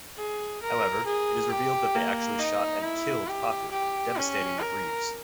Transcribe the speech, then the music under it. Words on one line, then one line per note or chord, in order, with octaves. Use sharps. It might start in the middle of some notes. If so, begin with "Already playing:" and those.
However, it is revealed that they actually shot and killed Pacu, devastating the Breves.
G#4
A#4
G#4
G4
A#3
D#4
E4
G4
G4
C#4
A#4